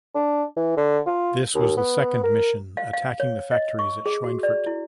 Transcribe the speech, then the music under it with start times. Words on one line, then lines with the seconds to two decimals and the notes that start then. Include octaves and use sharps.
This was the second mission attacking the factories at Schweinfurt.
0.15 D4
0.56 E3
0.77 D3
1.06 F4
1.55 D#2
1.77 B3
2.24 A#4
2.77 F5
2.93 F5
3.20 C#5
3.51 D#5
3.79 C#6
4.06 G#4
4.24 F#4
4.43 D5
4.66 E4